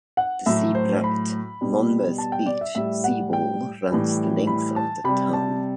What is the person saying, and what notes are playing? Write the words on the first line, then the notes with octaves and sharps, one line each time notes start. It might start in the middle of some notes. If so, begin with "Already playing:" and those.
The Sea Bright-Monmouth Beach Seawall runs the length of the town.
F#5
A2 F#3 E5
C5
B5
B2 G3
A5
G5
D5
E5
A2 G3 E5
F#5
G5
A2 E3 G3
B5
A5
C3 G3 B5
A5